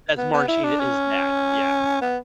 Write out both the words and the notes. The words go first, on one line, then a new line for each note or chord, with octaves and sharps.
That's Martin Sheen, his dad. Yeah.
B3
B3
E4
D4
C#4
B3